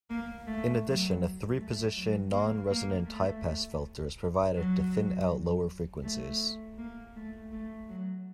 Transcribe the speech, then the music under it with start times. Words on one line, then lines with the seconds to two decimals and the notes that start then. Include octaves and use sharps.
In addition, a three-position non-resonant highpass filter is provided to thin out lower frequencies.
0.10 A#3
0.47 A3
0.85 F#3
1.59 A3
1.96 F#3
2.33 A#3
2.70 A#3
3.06 A3
4.55 F#3
6.03 A3
6.78 A#3
7.16 A3
7.52 A3
7.89 F#3